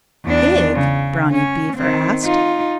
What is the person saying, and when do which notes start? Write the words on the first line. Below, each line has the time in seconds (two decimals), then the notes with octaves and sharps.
"Pig?" Brownie Beaver asked.
0.25 E2 D4
0.74 C#3
1.31 C#4
1.77 D#3 C4
2.23 D#4 F4